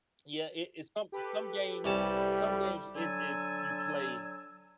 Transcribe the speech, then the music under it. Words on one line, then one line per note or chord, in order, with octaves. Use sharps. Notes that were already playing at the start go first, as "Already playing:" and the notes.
Yeah, it it's some some games some games, it's it's you play
G4 A4 B4
C2 G3 C#4 A5
D3 F#3 G#5 A5 E6